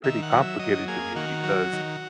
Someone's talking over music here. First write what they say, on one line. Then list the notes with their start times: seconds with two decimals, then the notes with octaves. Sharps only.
pretty complicated to me, because,
0.04 D#3 E5
0.22 F#5
0.31 F#3
0.42 E5
0.59 F#3 D#5
0.88 A#3 G#4
1.15 D#3 F#4
1.44 F#3
1.73 D#3